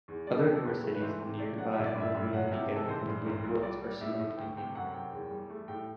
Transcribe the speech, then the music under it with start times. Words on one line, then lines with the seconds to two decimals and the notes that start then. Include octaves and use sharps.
Other newer cities nearby-Laguna Niguel and Laguna Woods-are similarly named.
0.08 E2
0.27 G3 D5
0.34 A4
0.39 B4
0.46 C3 G4
0.52 A4
0.64 E2 B4
0.83 A3
0.94 B4
1.02 E3 C5
1.20 C3
1.39 A3 D5
1.58 F#3 F#5
1.72 A3 E5
1.85 D5
1.95 G2
2.00 E5
2.14 G2 E5
2.32 F#3 F#5
2.52 C3 E5
2.70 E2
2.76 A4
2.88 E3 C5
3.07 G2
3.26 C2
3.44 C2
3.63 G3 D5
3.82 G3
4.01 A2 E5
4.19 A2
4.38 D2 G5
4.57 C3 G5
4.75 F#2 F#5
4.93 F#2 G5
5.12 E2
5.31 G3
5.50 A3
5.68 A2 G5